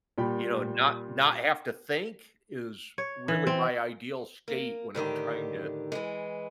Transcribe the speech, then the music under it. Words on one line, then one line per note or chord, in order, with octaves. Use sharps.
You know, not not have to think is really my ideal state when I'm trying to,
A#2 G3 G5 B5
C#5
E3
C4
A#3
A2 D3 D#3 G4
E3 G#3